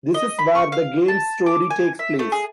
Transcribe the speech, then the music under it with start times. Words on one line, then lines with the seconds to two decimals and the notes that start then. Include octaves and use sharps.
This is where the game's story takes place.
0.14 D#5
0.39 B5
0.55 C#6
0.72 F5
1.08 A5
1.46 D6
1.70 G#5
1.99 E5
2.19 A3
2.32 G#4